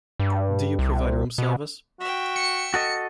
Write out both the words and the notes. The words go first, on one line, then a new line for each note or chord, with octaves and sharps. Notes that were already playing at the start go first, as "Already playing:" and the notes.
Do you provide room service?
G2
C2
B2
F#4 E5 G5
C#7
F#4 A4 D#5